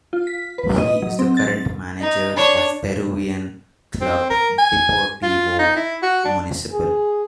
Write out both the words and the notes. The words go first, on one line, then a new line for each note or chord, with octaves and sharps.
He is the current manager of Peruvian club Deportivo Municipal.
F4
B6
B4
D#5
F#3
C4
A6
D#4
D4 C#5
C4
A#4
G#5
F4
D#4
E4
F#4
D4
G#4